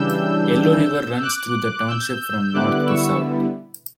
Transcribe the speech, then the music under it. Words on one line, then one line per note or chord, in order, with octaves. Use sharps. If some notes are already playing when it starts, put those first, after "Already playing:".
Yellow River runs through the Township from North to South.
Already playing: C#3 E3 G3 D4 E6 G6
D6 F#6
E6 G6
D3 G3 B3 E4 D6 F#6
C#6 E6